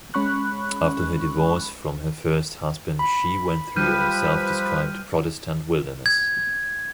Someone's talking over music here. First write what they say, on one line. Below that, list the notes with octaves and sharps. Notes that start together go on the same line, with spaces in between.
After her divorce from her first husband, she went through a self-described "Protestant wilderness".
G#3 C#4 B5 C#6 F#6
B5
F3 G3 B4 F6 G6 D#7
G#6